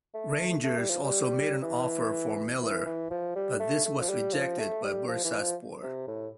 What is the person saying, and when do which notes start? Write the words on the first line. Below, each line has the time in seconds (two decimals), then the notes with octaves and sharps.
Rangers also made an offer for Miller, but this was rejected by Bursaspor.
0.14 A3
0.64 A3
0.77 G3
0.90 F3
1.04 G3
1.62 E3
2.61 E3
2.86 E3
3.10 F3
3.35 G3
3.60 A3
3.85 A3
4.00 F3
4.09 G3
4.34 F3
4.59 A3
4.83 G3
5.08 F3
5.24 E3
5.41 F3
5.82 C3
6.07 A2